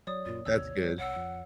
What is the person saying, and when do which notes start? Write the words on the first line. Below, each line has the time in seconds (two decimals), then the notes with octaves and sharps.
That's good.
0.07 F#3 C#5 D5 D#6
0.26 F#2 A#2 F4
0.45 A1 D#2 C3 C#5 E6
0.75 G3
0.98 C2 C#5 F#5 E6
1.16 F2